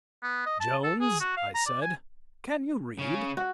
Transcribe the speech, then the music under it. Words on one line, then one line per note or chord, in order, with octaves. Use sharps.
"Jones," I said, "can you read?"
B3
D#5
A5
A4
G#4
F#4
F5
A#5
D5
G#5
C#3 C#4
F#4